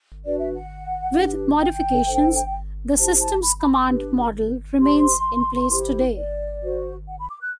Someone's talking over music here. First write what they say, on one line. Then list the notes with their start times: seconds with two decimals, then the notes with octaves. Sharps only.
With modifications, the systems-command model remains in place today.
0.24 D4 F#4 B4 D5
0.39 E5
0.54 F#5
1.15 D4 G4 B4
1.61 G5
2.06 D4 A4 C5
2.98 E4 G4 C5 A5
3.20 A5
3.42 B5
3.58 B5
3.73 D6
3.88 D4 G4 B4
4.79 D4 G4 C5 C6
5.70 E4 G4 C5
6.15 D5
6.62 F#4 C5
7.07 F#5
7.19 B5
7.29 D6
7.42 F#6